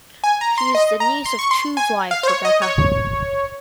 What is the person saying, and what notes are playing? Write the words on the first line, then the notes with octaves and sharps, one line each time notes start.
She is the niece of Choo's wife, Rebecca.
G#5
A#5
C6
D#5
A#5
C6
C#6
C6
G#5
F5
C5
C#5
D#5
C#5